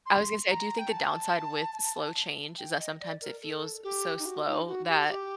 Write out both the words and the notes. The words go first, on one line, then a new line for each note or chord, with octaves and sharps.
I was gonna say, I do think the downside with slow change is that sometimes it feels so slow that
C6
A#5
G5
A5
G5
D#5
D5
A#4
A4
G4
D#4
F#4
D#4
F#4
G4
G4